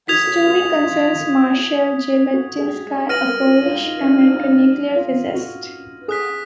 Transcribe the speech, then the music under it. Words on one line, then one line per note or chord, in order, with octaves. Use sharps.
The story concerns Marshall Zebatinsky, a Polish-American nuclear physicist.
F#4 D#6 G#6 B6 F7
F#4
F#4
F4
F4
F#4
G#4
B4 F6 A#6 D#7 F#7
A#4
F#4
F4
D#4
D4
D#4
D4
D#4
F4
F#4
G#4 D#6 F#6 B6